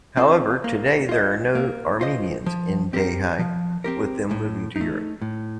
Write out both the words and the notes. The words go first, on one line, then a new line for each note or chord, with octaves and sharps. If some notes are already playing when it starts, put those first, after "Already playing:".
However, Today there are no Armenians in Dehi, with them moving to Europe.
C4 F4 A4
A#3
F4 C5 D#5
A#3
F4 C5 D#5
F3
C4 G4 A#4
F3
C4 G4 A#4
A2
D#4
A3
A2